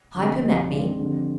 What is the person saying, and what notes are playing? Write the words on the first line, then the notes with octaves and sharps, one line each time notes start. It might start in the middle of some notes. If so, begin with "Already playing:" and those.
Piper met me.
D2 C3 F3 C4
C2 C3 F3 D#5
G2 D#3 G#3 C4 D5
F2 D3 G3 C4